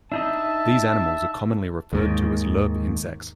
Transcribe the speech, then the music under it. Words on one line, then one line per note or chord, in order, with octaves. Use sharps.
These animals are commonly referred to as lerp insects.
D4 D#4 D#5 E5 A5
D#2 G#2 D#3